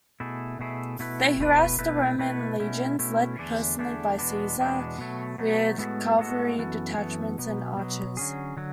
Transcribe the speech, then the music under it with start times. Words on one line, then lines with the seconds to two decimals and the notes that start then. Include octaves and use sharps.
They harassed the Roman legions, led personally by Caesar, with cavalry detachments and archers.
0.20 B2 A3 E4 G#4
0.59 B2 A3 E4 G#4
0.99 B2 A3 E4 B4
1.40 B2 A3 E4 B4
1.79 B2 A3 E4 B4
2.18 B2 A3 E4 B4
2.60 B2 A3 C#4 E4
2.99 B2 A3 C#4 E4
3.39 E2 D3 A3 D4 G#4
3.78 E2 D3 A3 D4 G#4
4.19 E2 B2 G#3 B3 D4
4.59 E2 B2 G#3 B3 D4
4.99 B2 F#3 A3
5.38 B2 F#3 A3
5.78 A2 G#3 B3 F#4 A4
6.18 A2 G#3 B3 F#4 A4
6.58 F#2 E3 B3 F#4 A4
6.98 F#2 E3 B3 F#4 A4
7.38 B2 F#3 B3
7.77 B2 F#3 B3
8.17 D3 F#3 C#4 G#4
8.57 D3 F#3